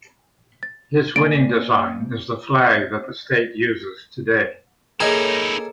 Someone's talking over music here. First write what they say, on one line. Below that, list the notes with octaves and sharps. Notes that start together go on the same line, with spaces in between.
His winning design is the flag that the state uses today.
A6
A#3 D5 G#5 D7
A#3 D#4 E4 G#4 A4 C#5 D#5 A#5